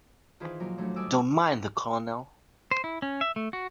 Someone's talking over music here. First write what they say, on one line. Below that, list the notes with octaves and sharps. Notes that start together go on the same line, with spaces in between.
Don't mind the Colonel.
D#3 E3 F4 G#4 B4 C5
A#2 F3 F#3 A#4
D#2 A2 F#3 A3 D4
G3 D5 D#5 G#5 D6 E6
C5
E4
C#4
E5
A3
F#4